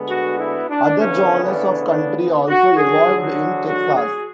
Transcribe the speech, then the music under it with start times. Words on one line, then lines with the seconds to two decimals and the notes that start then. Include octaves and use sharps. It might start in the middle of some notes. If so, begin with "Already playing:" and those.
Other genres of country also evolved in Texas.
Already playing: D2 D3 G#3 B3
0.09 F#4
0.40 E4
0.69 D4
0.98 D2 C#3 E3 B3 C#4
1.43 D4
1.88 D4
2.48 F#4
2.77 D2 D3 F#3 G#4
3.22 F#4
3.66 F#4
3.96 G#4